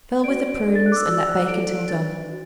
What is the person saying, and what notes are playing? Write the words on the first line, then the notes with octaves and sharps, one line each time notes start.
Fill with the prunes and let bake until done.
F#4 D5 D7
D4 A4 D5
A6
F#6
D6
E6
F#4 D5 E6
F#6
E4 A4 D5 D7
D4 B4 D5 A6
F#4